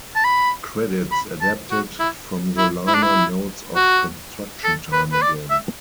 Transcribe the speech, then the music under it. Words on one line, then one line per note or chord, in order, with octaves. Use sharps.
Credits adapted from the liner notes of "Construction Time Again".
A5
B5
B5
A5
F#4
E4
E4
E4
D4
E4
F#4
A4
B4
B4
D5
E5